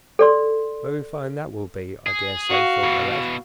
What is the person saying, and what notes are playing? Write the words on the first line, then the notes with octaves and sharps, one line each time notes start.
"Very fine that will be, I dare say," thought the lad.
A4 D5 C6
G#4
F#4 F5
B2 E3